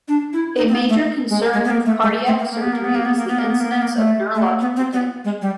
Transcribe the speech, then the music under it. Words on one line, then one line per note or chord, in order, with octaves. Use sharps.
A major concern with cardiac surgery is the incidence of neurological damage.
D4
E4
D#4
C4
B3
A3
G#3
G#3
B3
A#3
A3
G#3
A3
A#3
A#3
B3
A#3
B3
A#3
B3
A#3
B3
A#3
B3
A#3
B3
A#3
A3
A3
A#3
B3
C4
B3
G#3
G3